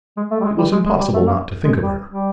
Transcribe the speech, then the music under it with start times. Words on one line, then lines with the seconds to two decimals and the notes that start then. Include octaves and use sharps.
It was impossible not to think of her.
0.17 G#3
0.31 A3
0.40 G3
0.45 G#3
0.58 G3
0.72 G#3
0.86 G#3
1.00 G3
1.14 A3
1.27 A#3
1.64 G#3
1.82 G3
2.09 G3